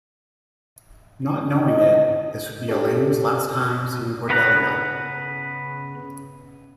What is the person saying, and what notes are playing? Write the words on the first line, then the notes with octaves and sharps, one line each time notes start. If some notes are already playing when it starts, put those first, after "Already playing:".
Not knowing it, this would be Elaine's last time seeing Cordelia.
D#5
A3 D4 G4
C#3 B3 B4 A#5 F#6